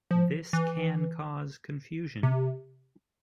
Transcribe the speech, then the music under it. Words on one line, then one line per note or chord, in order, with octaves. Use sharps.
This can cause confusion.
F3
E3
C3